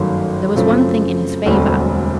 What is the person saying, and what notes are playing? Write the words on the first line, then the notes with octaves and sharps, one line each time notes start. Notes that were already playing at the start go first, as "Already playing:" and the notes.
There was one thing in his favour.
Already playing: G1 F#2 D#3 F#3 A3
F#2 C#3 F3 A3 C4
E1 D2 D3 G3 C4